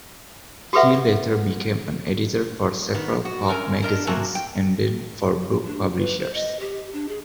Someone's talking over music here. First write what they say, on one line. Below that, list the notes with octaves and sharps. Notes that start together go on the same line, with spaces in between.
He later became an editor for several pulp magazines and then for book publishers.
F#4 G4 A4 B4 E5 F#5
D#3 B3
F#4
F#2 C#4 A#4 G#5
D4 A#4 D#5
C3 A#3 F#4 G#5 A5
G5
D4
B4
C5
D#5
G4
D4
G#4